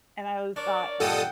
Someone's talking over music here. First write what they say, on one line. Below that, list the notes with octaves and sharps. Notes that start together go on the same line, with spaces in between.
and I w thought
D4 A#4 C#5 D5
G2 A#2 G#3 A4 F#5 G5 D#6